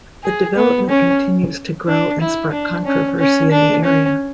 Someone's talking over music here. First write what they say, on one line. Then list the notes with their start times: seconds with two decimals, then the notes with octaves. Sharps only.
The development continues to grow and spark controversy in the area.
0.23 G#4
0.56 B3
0.89 C#4
1.88 D4
2.21 E4
2.52 D4
2.85 C#4
3.19 C#4
3.51 D4
3.84 C#4